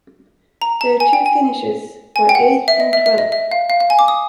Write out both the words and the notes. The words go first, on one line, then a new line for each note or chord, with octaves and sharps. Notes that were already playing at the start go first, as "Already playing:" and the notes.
Their two finishes were eighth and twelfth.
A#5
A5
G#5
G5
G#5
G#5
G5
F#5
E5
D#5
E5
E5
D#5
E5
F5
F5
F5
G#5
D6
D#6